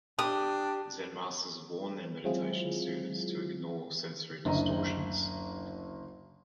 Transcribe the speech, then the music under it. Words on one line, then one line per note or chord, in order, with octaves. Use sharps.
Zen masters warn their meditating students to ignore sensory distortions.
D4 G4 D#6
F#3 G#3 C4 E4 F4 G#4
F#1 D2 D#5 E5 A#5